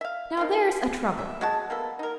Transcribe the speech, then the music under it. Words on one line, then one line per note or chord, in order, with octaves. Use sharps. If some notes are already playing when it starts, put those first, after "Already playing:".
Now, there's a trouble.
E5 F5
D#3 F3 C4
E5
G#3 F#4 A5
A#3 B3 A4
D#4 A#4